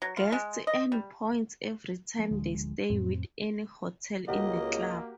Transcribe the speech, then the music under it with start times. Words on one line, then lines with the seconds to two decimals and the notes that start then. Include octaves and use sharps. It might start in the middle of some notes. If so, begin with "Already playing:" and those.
Guests earn points every time they stay with any hotel in the club.
0.02 F#3
0.17 F4
0.32 G#3
0.67 D#5
0.92 G3
2.19 F3 A3 A#3
2.31 D1 D3 F3 G#3
2.90 F2 A2 C4
4.28 C#2 A#3 F#4 G4 A#4 D#5